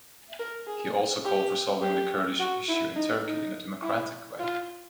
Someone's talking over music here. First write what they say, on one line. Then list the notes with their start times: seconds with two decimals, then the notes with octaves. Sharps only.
He also called for solving the Kurdish issue in Turkey in a democratic way.
0.39 A#4
0.67 G#4
1.25 G4
1.82 G4
2.39 F#4
2.68 E4
2.96 D#4
3.25 D#4
3.82 E4
4.39 F4